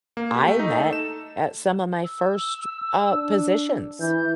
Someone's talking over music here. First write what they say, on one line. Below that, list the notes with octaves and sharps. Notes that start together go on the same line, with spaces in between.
I met at some of my first, uh, positions,
A#3
G4
A3
D#4
A4
E7
E6
D4
E3 G6